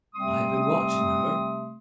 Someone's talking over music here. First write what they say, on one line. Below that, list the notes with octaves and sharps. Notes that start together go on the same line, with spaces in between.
I have been watching her.
C3 G3 A3 C4 C6 D#6